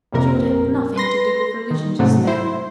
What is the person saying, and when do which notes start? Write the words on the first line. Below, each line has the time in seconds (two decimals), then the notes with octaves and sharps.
She would have nothing to do with religion just then.
0.12 A#1 F2 C3 A#4
0.96 B4 C6 A#6
1.71 D#3
1.99 G#2 C3 F#3 A3
2.27 E4 C5